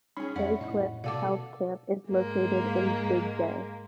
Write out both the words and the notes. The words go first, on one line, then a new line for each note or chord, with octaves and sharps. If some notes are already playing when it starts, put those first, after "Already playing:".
Bay Cliff Health Camp is located in Big Bay.
C#4 D#4 G#4 B5
F2 C#4 D5 E5 F#5 B5
A2 D#5
B2 A4 D5 F5 F#5 D6
G#2 G#3 A#3